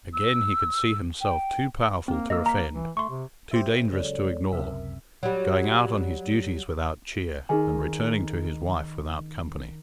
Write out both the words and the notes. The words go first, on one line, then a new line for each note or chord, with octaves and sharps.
Again, he could see himself too powerful to offend, too dangerous to ignore, going out on his duties without cheer, and returning to his wife without company.
E6
G5
A#3 C4
A#3 D#5 E6
A#5 B6
E3
A3 C6 C#6
C3
G4 C5 E5
C#3 F#3 G#3 A4 C#5 D5
C#2 F#2 C3 A#4 E5
F#3 G3
D#3 D#4 G#4 G#5